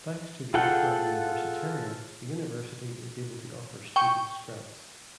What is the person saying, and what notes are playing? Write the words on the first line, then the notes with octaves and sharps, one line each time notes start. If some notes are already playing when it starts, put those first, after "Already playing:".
Thanks to the Opera Universitaria, the University is able to offer students grants.
F4 G#4 A4 F#5 G5
G5 C#6